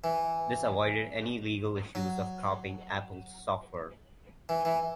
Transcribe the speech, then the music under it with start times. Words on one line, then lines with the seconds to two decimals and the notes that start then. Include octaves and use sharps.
This avoided any legal issues of copying Apple's software.
0.04 E3
1.95 F#3
4.49 E3
4.65 E3